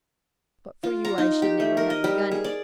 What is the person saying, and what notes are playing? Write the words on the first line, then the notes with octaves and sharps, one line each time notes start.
But for you I should never have begun it.
F4
A#5
D#4
G4
A3
A#4
D#5
G3
G#4
D5